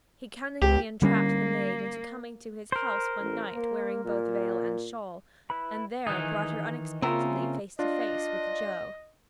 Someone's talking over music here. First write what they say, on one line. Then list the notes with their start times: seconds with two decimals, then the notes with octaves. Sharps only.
He cunningly entrapped the maid into coming to his house one night wearing both veil and shawl, and there brought her unexpectedly face to face with Joe.
0.62 C#2 G4
1.02 D3 G3 A#3 C#4
2.72 A#4 C5
3.21 A1
3.53 A#3
4.05 A#2
5.50 E4 B4 B5
6.07 D#3 E3 D#4 G#4 D#6 F#6
7.02 C#3 A#3 C4 C#4 F4 A#4 E5
7.79 D4 F4 D#5